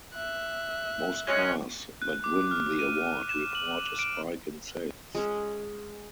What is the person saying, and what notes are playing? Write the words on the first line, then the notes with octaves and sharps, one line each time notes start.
Most cars that win the award report a spike in sales.
E5 F#6
G#3 C#4 F#6
F#6
D6
F6
D#7
E7
F#7
D7
G#3 C#4